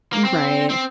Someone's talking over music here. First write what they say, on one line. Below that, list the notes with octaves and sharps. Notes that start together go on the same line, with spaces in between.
Mm, right.
A#3
C4
C4